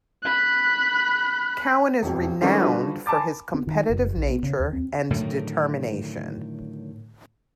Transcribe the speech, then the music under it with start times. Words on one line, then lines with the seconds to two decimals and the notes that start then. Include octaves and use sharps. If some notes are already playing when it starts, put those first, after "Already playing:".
Cowan is renowned for his competitive nature and determination.
0.23 B5 F#6
2.02 E1 F2
2.41 D#3 E3 G3 A3 C4 C#4
2.60 D3 F3 G3 F4 F#4 B4
3.06 G#5 A5 B5 D6 A6
3.54 B3
3.67 D#3
3.90 F#1
4.16 A#1
4.30 B3
4.43 C#3
4.60 D#2
4.73 C4
5.10 A2 D3 D#3 F#3